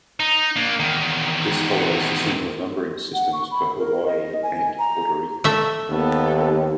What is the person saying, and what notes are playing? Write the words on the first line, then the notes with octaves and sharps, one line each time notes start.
This follows the similar numbering systems for Hawaii and Puerto Rico.
D#4
A#3 D4
E2 D#3
F#5
C#6
B5
A#4
D#5
G#5
A#5
A3 E5
D#2 B3 A4